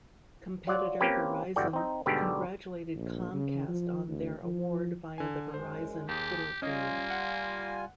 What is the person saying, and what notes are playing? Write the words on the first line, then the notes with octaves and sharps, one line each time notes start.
Competitor Verizon congratulated Comcast on their award via the Verizon Twitter feed.
F#3 F4 D5
A#3 C4 C#4 F4 G4 B4
G1 E2 D3 F#4 D5 G5
C4 D#4
G#2 B2 D3 G3 G4 D5
A#1
C#3
F3
D2
F3
D3 G#5
F#2 G#3 C5
D#2 G4 G#4
G3 A#3 C#4 F4 D#5 G#5
F#5